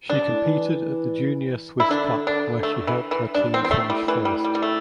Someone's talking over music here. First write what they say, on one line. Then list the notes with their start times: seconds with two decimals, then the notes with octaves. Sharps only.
She competed at the junior Swiss Cup where she helped her team finish first.
0.09 G2 D4
0.27 A2
0.45 E3
1.80 E4
1.90 D3 D4
2.27 D4
2.63 A3
2.87 E3
3.11 E3
3.35 G2 D4
3.53 E2 C4
3.65 C4
3.71 A3
3.89 A2 G3
4.08 A2 E3
4.25 G3
4.45 G3
4.55 G3
4.62 A3